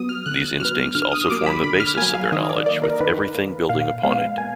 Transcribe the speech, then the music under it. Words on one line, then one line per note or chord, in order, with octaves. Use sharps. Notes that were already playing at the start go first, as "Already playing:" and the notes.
These instincts also form the basis of their knowledge with everything building upon it.
Already playing: F#3 B3 D#6
F6
D3 F#6
F#3 B3 F6
D3 F6
D#6
F#3 A#3 D6
B5
D3 B5
F6
F#3 A#3 G#5
F5
D#3 D#5
D5
A#3 D5
A#4
D#3 B4
A#3
A#2 F5
G#3 B3 F5
A#2 G#5